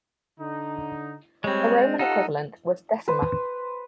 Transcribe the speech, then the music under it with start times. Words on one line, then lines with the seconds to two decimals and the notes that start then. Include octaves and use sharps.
Her Roman equivalent was Decima.
0.39 D3 D#4
1.44 G3 G#3 C4 C#5
1.99 D#4 F4 G4 A4 F#5
3.08 B4 C5